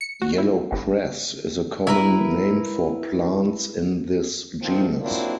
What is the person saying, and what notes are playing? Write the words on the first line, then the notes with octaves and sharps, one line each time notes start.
Yellowcress is a common name for plants in this genus.
C#7
F#4
E4
G1
E4 A#4 B4
D2 D#3 F3 C4
F#3 A#3 C4 D4 E4 F4